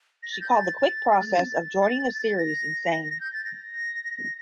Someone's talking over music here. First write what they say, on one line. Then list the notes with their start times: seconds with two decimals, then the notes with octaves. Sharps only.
She called the quick process of joining the series "insane".
0.23 A#6
0.32 A6
0.41 G6
0.50 A6
1.30 A6
2.38 A#6
3.21 G6
3.33 A6
3.45 A#6